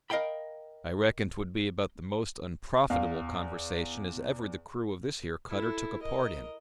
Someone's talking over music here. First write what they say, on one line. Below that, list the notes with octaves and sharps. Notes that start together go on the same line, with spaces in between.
I reckon 'twould be about the most onprofitable conwersation as ever the crew of this here cutter took a part in.
A#4 D#5 F5 G5 B5
E2 F5
E4 A4
A#4 D#5